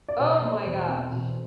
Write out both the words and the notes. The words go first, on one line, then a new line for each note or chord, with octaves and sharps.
Oh my gosh.
D5
B2 C5
A3
E2
C4
B2